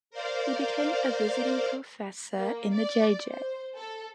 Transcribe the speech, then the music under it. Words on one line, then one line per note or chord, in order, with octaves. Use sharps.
He became a visiting professor in the J. J.
A#4 C5 D5 F5
A#3
D5
C5
A4